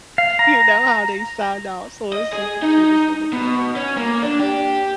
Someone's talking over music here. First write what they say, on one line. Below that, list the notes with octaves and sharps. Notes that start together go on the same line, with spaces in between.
You know how they sound out so it's just the cutest little thing.
F5
A#5
D#5
G#4
D#4
B2
C#4
A#3
D4
G4